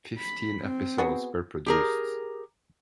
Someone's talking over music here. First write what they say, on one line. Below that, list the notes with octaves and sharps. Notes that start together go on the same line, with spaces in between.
Fifteen episodes were produced.
B5
C4
B3 F#4 G#4
G4 G#4 A#4